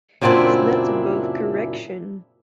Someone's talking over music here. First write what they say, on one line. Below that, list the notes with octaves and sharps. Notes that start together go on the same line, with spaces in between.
He's not above correction.
F#2 A#2 C#3 C4 D4 E4